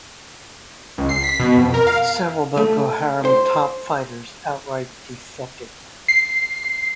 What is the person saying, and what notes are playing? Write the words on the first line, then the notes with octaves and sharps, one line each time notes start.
Several Boko Haram "top fighters" outright defected.
C#2
C7
B6
B2
F2
A#4
F5
A3
C5
C7